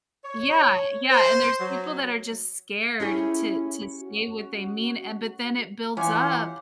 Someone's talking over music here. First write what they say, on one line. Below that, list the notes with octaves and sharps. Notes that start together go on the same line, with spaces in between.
Yeah. Yeah. And there's people that are just scared to to say what they mean, and but then it builds up
C#5
C5
F#3
C#4 E4 G4 G#4
F#4
E3 C#4 F4 G4 F#5 G#5